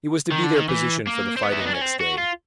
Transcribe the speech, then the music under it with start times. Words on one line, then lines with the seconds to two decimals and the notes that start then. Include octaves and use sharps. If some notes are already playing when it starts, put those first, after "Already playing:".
It was to be their position for the fighting next day.
0.32 D#3
0.43 D3
0.55 D#3
0.69 E3
1.07 A#3
1.37 C4
1.43 B3
1.52 E4
1.60 D#4
1.67 D4
1.75 C#4
1.82 C4
2.00 F#4
2.18 F4